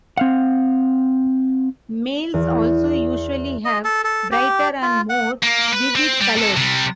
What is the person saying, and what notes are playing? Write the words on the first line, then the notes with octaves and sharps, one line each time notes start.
Males also usually have brighter and more vivid colors.
C4 F5 F#5
E2
D#5
A4
A4
G4
F4
F#5
A#3
B4
C4
G3
C3 A4
C3 G3